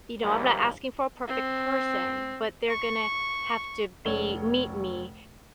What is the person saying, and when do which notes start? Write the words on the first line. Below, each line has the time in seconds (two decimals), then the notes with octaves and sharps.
you know, I'm not asking for a perfect person, but they're gonna have to be meet me
0.23 A#1 D#2 G#2 E3 G3 A#3
1.27 C4
2.69 C#6
4.05 F1 C#4 A4 C#5 D5 G7